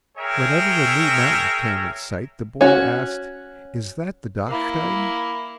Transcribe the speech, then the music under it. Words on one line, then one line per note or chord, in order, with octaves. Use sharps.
Whenever a new mountain came in sight the boy asked, "Is that the Dachstein?"
G#4 A#4 C#5 E5 G5
C#4 F#4
A#3 E4